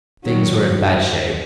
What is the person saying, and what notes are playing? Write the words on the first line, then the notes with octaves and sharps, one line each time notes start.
Things were in bad shape.
D#3 F#3